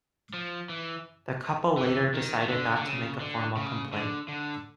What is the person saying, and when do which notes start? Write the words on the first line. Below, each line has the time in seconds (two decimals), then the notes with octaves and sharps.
The couple later decided not to make a formal complaint.
0.34 F3
0.69 E3
1.77 E3
2.14 D#3
2.41 D#3
2.49 D3
2.76 D3
2.86 C#3
3.20 D3
3.57 C#3
3.93 D3
4.28 D3